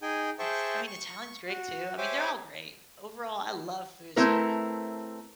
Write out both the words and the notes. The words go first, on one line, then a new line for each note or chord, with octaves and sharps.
it's I mean Italian's great too. I mean they're all great, overall I love food so,
D#4 G#4 G5 G#5
G#4 C5 E5 G5 A5 C#6
C#6
F#4
G4 C5 C#5 E5 G#5 D6
A3 C4 E4 A#4 B4